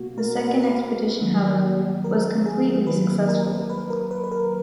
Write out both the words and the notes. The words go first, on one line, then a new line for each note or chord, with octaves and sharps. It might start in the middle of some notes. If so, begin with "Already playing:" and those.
The second expedition, however, was completely successful.
Already playing: B2 A#3 F#4
A#4
B4
B4
D#3 F#3 A#3
A#4
G#4
D#3 F#3 A#3 B4
A#4
B4
A#4
B4
B4
A#4